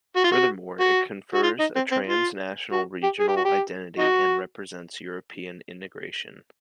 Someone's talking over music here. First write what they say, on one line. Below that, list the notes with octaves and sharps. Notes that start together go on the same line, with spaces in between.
Furthermore, it confers a trans-national regional identity and represents European integration.
F#4
F4
F#4
F#4
F#4
F4
D#4
C4
C4
F4
F#4
G4
G#4
G4
F#4
G4
D#4 F#4